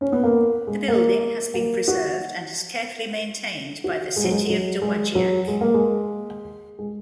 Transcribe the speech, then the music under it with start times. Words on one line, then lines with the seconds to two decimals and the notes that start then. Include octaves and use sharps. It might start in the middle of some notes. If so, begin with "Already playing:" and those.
The building has been preserved and is carefully maintained by the City of Dowagiac.
0.01 C#4
0.12 B3
0.23 A#3
0.67 G#3
0.88 A#3
1.54 A#3
1.88 F#4
3.84 F#4
4.16 G#3
4.24 F#3
4.31 G#3
4.49 F#3
4.82 G#3
5.15 F#3
5.48 G#3
5.61 A#3
5.74 G#3
6.79 G#3